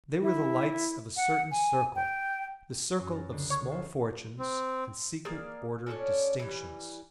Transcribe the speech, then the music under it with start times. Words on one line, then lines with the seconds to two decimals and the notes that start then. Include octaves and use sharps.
They were the lights of a certain circle--the circle of small fortunes and secret order distinctions.
0.22 E4
1.17 F#5
1.51 G#5
1.95 G5
2.99 F#2 C#4
3.11 A#4 A6
3.32 C#2 D3 G#3
3.50 C#5
3.71 F4 A4 E5
4.39 C4
5.25 A#3 G#4 D5 F5
5.86 C#4 D4 A4 C#5
6.39 E3 G3